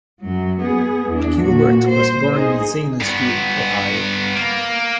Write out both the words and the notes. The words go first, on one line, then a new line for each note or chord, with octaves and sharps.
Gilbert was born in Zanesville, Ohio.
F#2 F#3
B3 G#4
E2 D4
A#2 F#4
C5
D#4 G#4
G2 B3
A#3